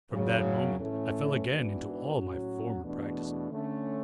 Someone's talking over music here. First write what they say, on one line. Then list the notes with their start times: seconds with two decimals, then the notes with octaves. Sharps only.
From that moment I fell again into all my former practices.
0.11 F#2 C#3 F#3
0.78 A2 E3 A3 C#4
1.46 G#2 E3 B3 D4 F#4
2.14 A2 F#3 C#4 F#4
2.81 E2 B2 A3 D4
3.50 D3 A3 C#4